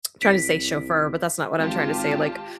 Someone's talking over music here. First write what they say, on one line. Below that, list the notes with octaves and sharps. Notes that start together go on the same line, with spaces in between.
I'm trying to say chauffeur, but that's not what I'm trying to say, like,
C2 B6 D7
G#1 F4 G4 A5